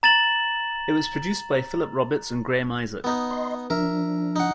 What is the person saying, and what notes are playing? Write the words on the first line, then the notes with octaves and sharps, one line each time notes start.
It was produced by Philip Roberts and Graeme Isaac.
A#5 A6 E7 F#7
B3 D#4
D#5 C6
F3 D4 A#4 E5
D#4 F#5